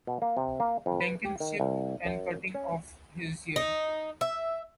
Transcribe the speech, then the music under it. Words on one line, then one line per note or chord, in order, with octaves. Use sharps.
Jenkin's ship and cutting off his Ear.
B2
A#3
C3
A#3
F2
B4
G4
D#3
C2
F#2
C#4
D#4
E5